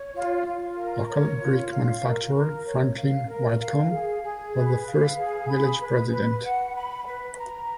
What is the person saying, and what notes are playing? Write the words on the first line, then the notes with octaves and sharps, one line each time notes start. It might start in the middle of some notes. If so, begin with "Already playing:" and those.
Local brick manufacturer Franklin Whitcomb was the first Village President.
Already playing: C#5
F4
F4
A#4
C#5
F4
F5
A#4
A#4
C#5
F5
A#4
F5
G#4
G#4
B4
F5
G#4
B5
B4
B4
F#5
B5
B4
A#5